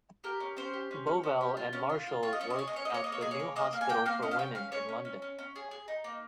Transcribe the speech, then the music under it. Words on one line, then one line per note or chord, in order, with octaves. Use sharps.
Bovell and Marshall worked at the New Hospital for Women in London.
G4 A#4
C#4
C#4 C5
G4
C#4
C#4
C#4
G4
F4
C#4
F4
F4
F4 C#5
D#5
C#4 C#5
D#5
G#4 C#5
D#5
C#4 C#5
D#5
A#3 C#5
A#3 D#5
C#5
G#4 D#5
C#5
A#3
A#3 D#5
A#3 F5
G#5
A#3 G5
A#3 F5
C#4 D#5
F5
C#4 G5
C#4 F5
C#4 C#5
C#4
C#4
C#4
C#4
G#4
G#4
D#4
A#3